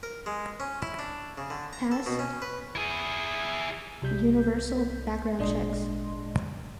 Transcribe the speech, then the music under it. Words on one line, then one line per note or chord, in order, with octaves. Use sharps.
Pass universal background checks.
A#4
G#3
C#4
E4
D4
C#3
D3
A#5
A4
B2
C#4
B4
E4 G#4
C2 G3 G6 B6
G#1 A#2 G#3 D4 D#5 C6